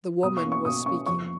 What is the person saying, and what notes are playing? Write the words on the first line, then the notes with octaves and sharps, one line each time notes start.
The woman was speaking.
B2 D#6
C#6
A#3 C#4
C#6
B2 D#6
A#3 C#4 C#6
F2 C#6